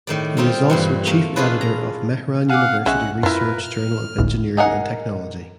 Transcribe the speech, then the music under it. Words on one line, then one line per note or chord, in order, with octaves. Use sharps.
He is also Chief Editor of Mehran University Research Journal of Engineering and Technology.
A2 D#3 D5
G3 A#3 C4 D#4 F4 G4
G2 A#2 E3
A3 A#3
C#4 D4 E4 F4 G#4 B4
A#5
F5 F#5 G#5 D6
B1 G#3 C#4 E5 F#5 F#6
F#2 E4 F4 A#4 B4
F6
G1 C#2 A2
D#4 G#4 A#4 F#5